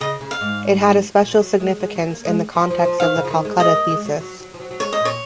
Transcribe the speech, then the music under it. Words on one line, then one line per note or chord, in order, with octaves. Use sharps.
It had a special significance in the context of the 'Calcutta thesis'.
C#3 D#5
C#3
F5
G#2
A#2
F#3
G#3
G#3
F#3
A#3
G#3
F3
F3
F3
D#3 F5
C#3
F3
D#3
G#3
G#3 D#5
A#3
G#3
F#3
F#3
F#3
F3
F#3
F#3
G#3 C#5
D#5
A#2 C#5